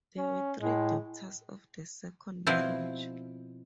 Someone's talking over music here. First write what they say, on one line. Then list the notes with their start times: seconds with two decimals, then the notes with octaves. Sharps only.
There were three daughters of the second marriage.
0.17 C#4
0.61 A2 G#3
2.47 B2 F3 C4 E4 C5